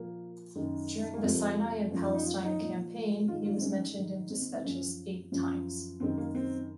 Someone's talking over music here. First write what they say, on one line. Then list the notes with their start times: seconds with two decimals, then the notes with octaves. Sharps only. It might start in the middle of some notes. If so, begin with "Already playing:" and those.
During the Sinai and Palestine Campaign he was mentioned in despatches eight times.
Already playing: A#2 F3 A#3
0.55 F#2 D#3
1.14 A#3
1.23 F2 C3 F3 C4
1.91 F#2 F3 C#4
2.03 D#4
2.14 D#4
2.26 F4
2.43 D#4
2.60 A#2 F3
3.28 G#2 D#3 F4
3.45 F4
3.57 C4
3.62 C#4
3.96 G#2 D#3
4.30 C4
4.42 C4
4.53 C4
4.64 F#2 F3 C#4
5.32 F#2 F3 C#4
6.00 F#2 D#3 C4
6.18 A#3
6.35 C4